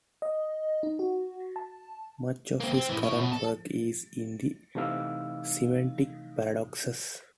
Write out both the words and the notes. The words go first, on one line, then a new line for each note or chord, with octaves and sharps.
Much of his current work is in the semantic paradoxes.
D#5
D#4
F#4
A5
A#3 C4
C4
A2 E3
E4 C#5
B2
A4
C3 E3 A3 D#4 F5 E6